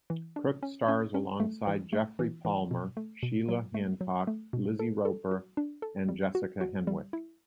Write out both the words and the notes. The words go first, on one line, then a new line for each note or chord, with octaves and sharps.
Crook stars alongside Geoffrey Palmer, Sheila Hancock, Lizzie Roper and Jessica Henwick.
E3
D4
C#4
C#4
C#4
A3
E3
A3
E3
E3
B2
A3
B2
F#3
A3
F#3
A3
B2
A4
A4
F#4
D4
A4
G3
F#4
F#4
G3
E4